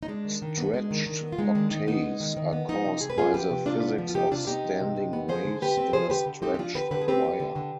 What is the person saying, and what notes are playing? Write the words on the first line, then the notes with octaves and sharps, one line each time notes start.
Stretched octaves are caused by the physics of standing waves in a stretched wire.
D#4
G#3 D4
D#3
D#3
B3
G#3
D#3
D#3
B3
F4
G#3 D#4
D#3 D4
D#3 D#4
B3 D#4
G#3
D#3
D#3
B3
F3 D#4
C3
C3 G#4
B4
B3 F4 G#4
F3 G4 B4
C3
C3 D4 F4
B3
F3
F4
C3 D#4 G4
D#4
C3 D4 F4
B3 D#4 G4
F3
C3
C3
B3
F3 G#4 C5
D3
D3 G4 B4
C4
F3 G#4 C5
D3 G4 B4
D3
C4 D#4 G4
G4
F3 D4 F4
D3 G4 B4
D3 G4 B4
G#4
C4 G4 B4
F3
D3
D3